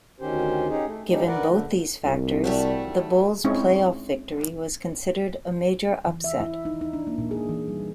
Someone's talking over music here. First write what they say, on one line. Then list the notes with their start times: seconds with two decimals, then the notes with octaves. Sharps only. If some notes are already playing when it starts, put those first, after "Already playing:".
Given both these factors, the Bulls' playoff victory was considered a major upset.
0.20 D2 D#3 C#4 G4 C5
0.68 C#4 D#4 G4 G#4
0.86 A3
1.10 F3 G3 A3 C#4 D#4 G4
1.27 A#4 B4 D5 F#5
1.49 D3 A3
2.04 C2
2.44 G3 A3 F#4
3.44 G#3 C4 C#4 D#4 E4 C#5
6.07 E3
6.24 E5
6.40 E4
6.65 D#4
6.81 D#4
6.93 D4
7.07 A#3
7.18 A#2
7.31 G#4
7.49 E3
7.68 G3
7.80 A#2